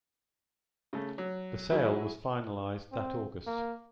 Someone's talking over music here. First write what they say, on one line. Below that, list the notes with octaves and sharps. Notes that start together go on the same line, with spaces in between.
The sale was finalized that August.
C#3 A3
F#3
F#3 E4 G#4
C4
A#3